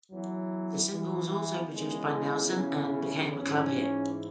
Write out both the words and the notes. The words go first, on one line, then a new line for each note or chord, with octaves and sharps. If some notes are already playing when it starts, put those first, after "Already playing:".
The single was also produced by Nelson and became a club hit.
E2 E3 F#3
E3
E2 C#3 E3 G#3
C#4
G#2 E3 C#4